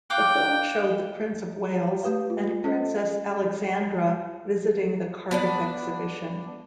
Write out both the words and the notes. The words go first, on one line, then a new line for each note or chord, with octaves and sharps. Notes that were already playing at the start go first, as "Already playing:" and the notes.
The film showed the Prince of Wales and Princess Alexandra visiting the Cardiff Exhibition.
F5 G5 D6 F#6
A3 G4 B4 F5
F4
C#4 A4 C5 D#5
B3 D4 D5